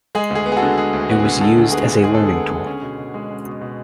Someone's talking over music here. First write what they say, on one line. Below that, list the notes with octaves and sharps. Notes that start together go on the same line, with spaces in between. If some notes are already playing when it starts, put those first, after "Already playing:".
It was used as a learning tool.
G#3 G#4
D2 G#4
B3
G#4
F#4 A4
D3
G#3 G#4
D2
B3 F#4
G#4
D3
G#3 F#4 A4
D2
B3 G#4
D3
G#3 G#4
A4
D2
G#4
B3
D3
C#4
B2
B2
G#3
C#4
B2
B2